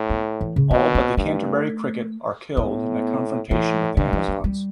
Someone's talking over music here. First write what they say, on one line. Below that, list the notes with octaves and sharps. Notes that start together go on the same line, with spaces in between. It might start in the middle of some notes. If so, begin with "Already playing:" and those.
All but the Canterbury Cricket are killed in a confrontation with the Amazons.
Already playing: A2
B3
E3
C#3
B2 B3
B3
G2 A3
A2 B3
A2 E3
G2 D3
E3
F#3
G3